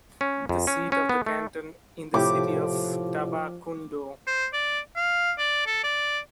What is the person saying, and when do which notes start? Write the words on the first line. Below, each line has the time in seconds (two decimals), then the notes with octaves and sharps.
The seat of the canton is the city of Tabacundo.
0.21 C#4
0.49 F2
0.67 C#4
0.92 C#4
1.09 B3
1.26 A3
2.14 A2 C3 F3 A3 E4 G4 F#5 D6
4.27 C5
4.53 D5
4.96 F5
5.38 D5
5.67 A4
5.84 D5